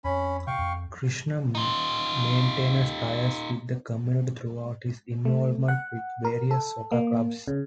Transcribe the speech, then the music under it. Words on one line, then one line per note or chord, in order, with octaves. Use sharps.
Kirshner maintains ties with the community through his involvement with various soccer clubs.
F2 C#4 B5
C3 F5 G5 C#6
F2
D#4 F4
A3
F#5
A#4
A4
A#3
C#3